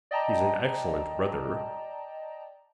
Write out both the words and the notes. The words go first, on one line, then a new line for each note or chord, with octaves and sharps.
He's an excellent brother.
D5 D#5 G5 A5 A#5